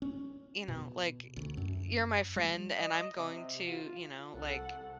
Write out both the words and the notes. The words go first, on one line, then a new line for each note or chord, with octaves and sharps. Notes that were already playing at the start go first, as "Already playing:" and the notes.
you know, like, eh, you're my friend, and I'm going to, you know, like
C#4
B2
D2
F#2
G3
D#5
C3
F4
C2 A4 F#5